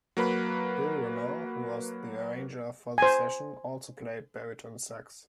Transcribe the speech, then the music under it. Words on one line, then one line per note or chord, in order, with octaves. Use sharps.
Bill Ramall, who was the arranger for the session, also played baritone sax.
F#3 A#3 B4 B5
C5 G#5